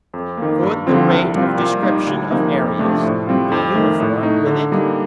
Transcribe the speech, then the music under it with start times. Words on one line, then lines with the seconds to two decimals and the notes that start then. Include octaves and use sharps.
Could the rate of description of areas be uniform with it?
0.14 F2
0.37 D#3 A#3
0.63 G2
0.86 D3 F3 C4 F4
1.10 C2
1.35 A#2 G3 C4 F4
1.58 A#2
1.82 G3 A#3 D#4
2.07 D2
2.30 C3 F3 A#3 D#4
2.54 F2
2.79 C3 F3 A3 D4
3.03 A2
3.27 G3 C4 F4
3.52 F2
3.74 D#3 A3
4.00 A2
4.23 A3 D#4
4.47 D3
4.72 G3 A#3 D#4